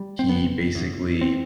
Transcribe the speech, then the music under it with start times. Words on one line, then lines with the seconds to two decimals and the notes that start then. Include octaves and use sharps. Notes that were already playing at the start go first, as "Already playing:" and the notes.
he basically
Already playing: G3
0.19 C4
0.29 F#1 B3
0.75 E2
1.21 C4